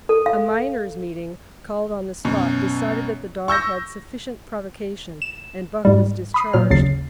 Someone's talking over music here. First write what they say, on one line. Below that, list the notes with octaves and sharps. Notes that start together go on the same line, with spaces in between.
A "miners' meeting," called on the spot, decided that the dog had sufficient provocation, and Buck was discharged.
A4
F5
F#2 B2
C#6 E6 G6 A#6
E7
G#2 G3
B5 D#6 C7
A#2 F#3 F6
G1 D#2 C#3 F#3 A6 C7